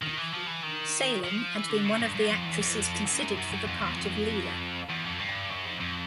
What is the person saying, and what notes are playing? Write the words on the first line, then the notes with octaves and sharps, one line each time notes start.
Salem had been one of the actresses considered for the part of Leela.
D#3
E3
F3
E3
D#3
F3
E3
D3
C#3
G2
G2
F2
E2
F2
F#2
F#2
F#2
F2
E2
F2
E2
F2
G2
F#2
F2
F2